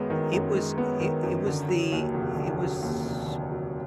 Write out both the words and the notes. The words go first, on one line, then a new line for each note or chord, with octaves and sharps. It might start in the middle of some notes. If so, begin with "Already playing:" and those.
it was it it was the it was
Already playing: F#2 D#3 G#3 B3
D#3
F#2
G#3
B3
D#3
F#2
D3
F#3
D#2
F1
D3
F#3
D#2
F1
D3
F#3